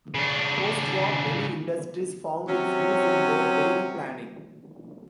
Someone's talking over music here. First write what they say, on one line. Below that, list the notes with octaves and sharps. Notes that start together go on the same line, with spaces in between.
Postwar, many industries found its use in their daily planning.
C#3 D4
C3 F#3 C#4